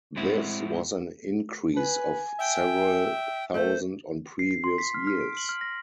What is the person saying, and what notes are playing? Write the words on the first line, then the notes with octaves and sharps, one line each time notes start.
This was an increase of several thousand on previous years.
A2 G#3 C4 E4 F#4
B4 G#5
E5 G5
A3 C5
C7
C7
C6
B6
F6
F6
D7
F#7
F6
A#6